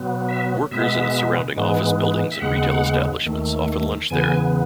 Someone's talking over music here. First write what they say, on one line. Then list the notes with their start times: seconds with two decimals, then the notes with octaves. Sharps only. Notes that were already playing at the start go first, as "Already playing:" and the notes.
Workers in the surrounding office buildings and retail establishments often lunch there.
Already playing: B2 F#3 B3
0.29 E5
0.71 B2 G#3 B3 E5
1.56 G#2 E3 G#3 B3
2.32 E5
2.40 D#2 C#3 G#3 B3 F#5
3.25 D#2 D#3 A3
4.10 E2 C#3 E3 B3 G#5